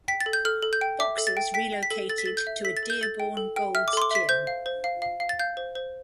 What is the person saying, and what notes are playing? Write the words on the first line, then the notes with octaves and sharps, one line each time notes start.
Boxers relocated to a Dearborn Gold's Gym.
G5 B6
A6
A4
G6
A4 F6
A4
G6
G5
E5 D6
A4
A6
G5
G5 B6
G5
B6
A4
A4 A6
B6
A4 A6
G6
E5
A4 B6
A6
A4
G6
A4 A6
G5
A4
G5
E5 F6
D6
A4 C6
D6
E5 B6
C5 G6
F5
C5
F5
F5
F5
A6
F5 G6
C5
C5